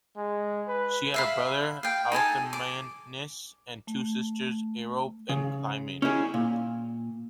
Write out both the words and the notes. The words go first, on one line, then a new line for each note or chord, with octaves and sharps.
She had a brother Althaemenes, and two sisters Aerope and Clymene.
G#3
B4
E5 F5 B5
F5 G5
D#4 A4 G#5 A5
D6
A3
C#3
C#4 D#4 E4 G4 G#4
A#2